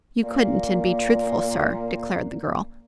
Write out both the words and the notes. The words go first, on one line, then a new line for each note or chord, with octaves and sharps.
"You couldn't, and be truthful, sir," declared the girl.
A#2 A#3